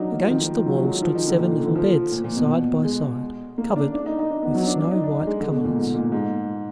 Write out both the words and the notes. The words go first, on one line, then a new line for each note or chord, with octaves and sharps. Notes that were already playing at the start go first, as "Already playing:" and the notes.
Against the wall stood seven little beds side by side, covered with snow-white coverlets.
Already playing: F#3 D4 D#4
A#3
F3
D#3
F3
F3
F#3
F#3
G#3
F3
D#3
D3
A#2
A#2
D3
F3
A#2
A#2
B2
G#3
A#3
D4
D4
D#4
D#4
D4
B3
F#3
D4
D4
D#4
D4
G#3
D3
B2
A#2
G#2
A#2
G#2